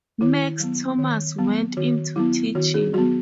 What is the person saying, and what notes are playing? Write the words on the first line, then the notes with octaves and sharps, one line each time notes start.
Max Thomas went into teaching.
D#3 E4
F#3 B3
D#3
F#3 B3
D#3 F#4
F#3 B3 E4
D#3 F#4
G#4
F#3 B3 F#4